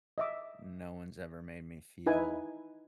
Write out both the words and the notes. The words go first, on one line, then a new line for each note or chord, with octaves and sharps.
no one's ever made me feel
D#5 E5 D6
D#4 E4 B4 G#5